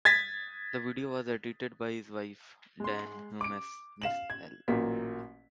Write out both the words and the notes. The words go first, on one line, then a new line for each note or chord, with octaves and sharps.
The video was edited by his wife, Dyan Humes-Nispel.
G#6 A6 B6
G#3 C6
D6 D7
F5 E7 F#7
G#6
A1 A#2 F#3 A#3 B6